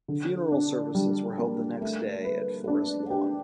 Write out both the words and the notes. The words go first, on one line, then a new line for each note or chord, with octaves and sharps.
Funeral services were held the next day at Forest Lawn.
D3
D4
G3
A#3
A3
B4
D4
G4